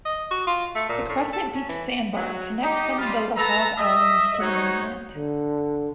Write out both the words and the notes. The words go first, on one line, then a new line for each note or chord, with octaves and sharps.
The Crescent Beach sand bar connects some of the LaHave Islands to the mainland.
D#5
F#4
F4
A3
A#2
A2
A4
C#4
E3
F#3
D#4 G4
G3 F4
A4 B4 A5 A#5
D#5 E5
D#4 F#4 C5 C#5
D3